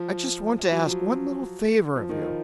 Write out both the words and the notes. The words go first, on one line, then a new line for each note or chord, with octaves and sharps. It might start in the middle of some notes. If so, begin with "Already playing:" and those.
"I just want to ask one little favor of you."
Already playing: F3
F#3
F3
F#3
F3
D#3
F3